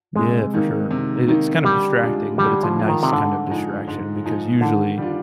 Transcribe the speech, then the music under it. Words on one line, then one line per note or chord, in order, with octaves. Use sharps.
Yeah, for sure. I it's kind of distracting, but it's a nice kind of distraction because usually,
C3 G#3
D#3 A#3 D#4
C3
D#3 A#3 D#4
D3 G3
G#3 D4 F4
D3 G3
F3
G#3 D4 F4
D#3
C3
G#2 D3
F3 G#3 D#4
G#2
F3 G#3 D#4
D3 D#3
G3 D4 F4